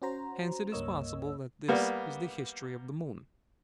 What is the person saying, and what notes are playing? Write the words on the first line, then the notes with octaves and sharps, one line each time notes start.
Hence it is possible that this is the history of the moon.
C#4 F#4 C5 A#5
C#2 G2 A#3 C#5 D#5 E6
G3 A#3 B3